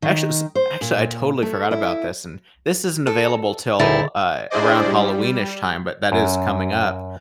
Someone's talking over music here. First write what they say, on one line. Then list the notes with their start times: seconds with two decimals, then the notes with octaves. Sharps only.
actu eh s actually, I totally forgot about this, and this isn't available till, uh, around Halloween-ish time, but that is coming up,
0.02 D#3
0.55 C5
0.81 A#2
1.42 A3
1.71 E4
3.07 A4
3.80 D2 A#2 D3 D#4 E4 G#4 A6
4.50 D4 E4 G#4 C5 D5 D#5
4.86 G3
6.12 F#2